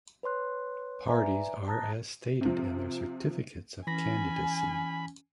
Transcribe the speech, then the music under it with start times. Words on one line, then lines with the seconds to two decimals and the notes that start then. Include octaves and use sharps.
Parties are as stated in their certificates of candidacy.
0.23 B4 C#5 C6 F#6
1.08 B4 D5 E5 G#5 A#5
1.68 A5 A#5 D#6 F#6 A6 A#6
2.41 C3 F3
3.87 E3 C#4 G#5 B5 A#6